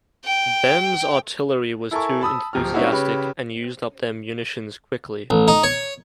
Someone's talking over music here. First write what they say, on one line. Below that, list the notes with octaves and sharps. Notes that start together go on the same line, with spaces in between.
Bem's artillery was too enthusiastic and used up their munitions quickly.
G5
E4 A4 A#4 G#5 C#6
A5 B5 D#6 E6
D1 F3 G4 A#5 F6
G3 C4 C#4 D#4 E4 F#4
C#3 G4 B4 C#5
A1
D#4
C#5